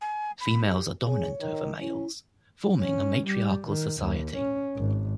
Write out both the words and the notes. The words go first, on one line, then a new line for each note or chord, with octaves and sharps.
Females are dominant over males, forming a matriarchal society.
G#5
B5
G4
G#4 C#5
D#3
C#4 E4
C#4
G3
D#3
D#2
C#4
G#1